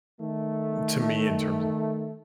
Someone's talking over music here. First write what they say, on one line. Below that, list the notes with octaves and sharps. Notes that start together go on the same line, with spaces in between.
to me in terms of
D#3 A3